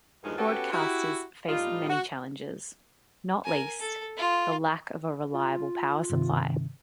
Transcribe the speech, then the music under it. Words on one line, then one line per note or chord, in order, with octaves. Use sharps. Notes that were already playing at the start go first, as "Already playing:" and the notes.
Broadcasters face many challenges, not least the lack of a reliable power supply.
E2 G2 D#3 F3 G#3 D#4
B3 C#4 F#4 G4 A4 B4
E4 F#4 G4
A2 G3 D#4 F4
F#4
A#4 G#5
A4
F4
F4
G2 C3 D#3